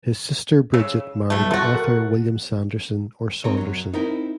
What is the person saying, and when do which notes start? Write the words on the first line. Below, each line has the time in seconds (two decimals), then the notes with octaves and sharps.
Her sister Bridget married the author William Sanderson or Saunderson.
0.74 C#3 E6
1.30 B1 G2 B2 A3
1.51 A3 F#4 C6 A6
1.75 A#4 F#6
3.44 C4 A#4 C#5 D#5 A#5
3.57 F#2 F#3
3.94 C4 D#4 E4 A#4 G5